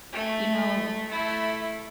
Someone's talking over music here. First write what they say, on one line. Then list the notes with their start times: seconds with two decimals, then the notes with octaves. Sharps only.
you know,
0.13 A3
1.08 A3 E4